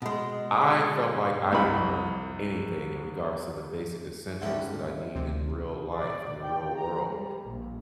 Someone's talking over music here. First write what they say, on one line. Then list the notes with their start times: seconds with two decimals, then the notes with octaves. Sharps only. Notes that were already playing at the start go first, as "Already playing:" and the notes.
I felt like I didn't learn anything in regards to the basic essentials that I need in real life, in the real world,
0.02 B2 G#3
1.53 C2 B5
4.41 G#2 D3 E3 G3 C#4
5.15 D2 C3
5.96 D5
6.45 G5
6.78 A#5
7.09 G3
7.48 A#1